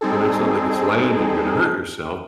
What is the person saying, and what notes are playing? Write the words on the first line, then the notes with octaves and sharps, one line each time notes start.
you know, it's not like it's land, and you're gonna hurt yourself."
G3 C4 D#4 G#4 A4